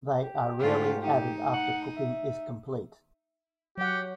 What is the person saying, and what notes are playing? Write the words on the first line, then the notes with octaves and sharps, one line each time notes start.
They are rarely added after cooking is complete.
G4
G#2 A3 F4
D#4 G4
F#5
E5
F#3 G4 F#5